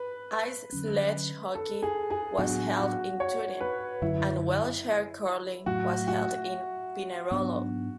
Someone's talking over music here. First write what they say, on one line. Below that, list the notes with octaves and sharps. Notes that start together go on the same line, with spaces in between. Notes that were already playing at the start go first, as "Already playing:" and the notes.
Ice sledge hockey was held in Turin, and wheelchair curling was held in Pinerolo.
Already playing: B4
D3 F#3 C#4
A4
G#4
G#4
A2 F#3 B3 D4 F#4
F#4
C#5
B4
F#2 D3 F#3 E4
A2 F#3 A3 F#4
F#4
G#2 F#3 B3 D4